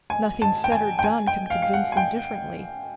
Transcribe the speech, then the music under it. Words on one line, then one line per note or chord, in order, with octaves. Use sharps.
Nothing said or done can convince them differently.
G#5
A5
G5
G#5
G5
G#5
G5
F5
F5
F#5
G#5
G5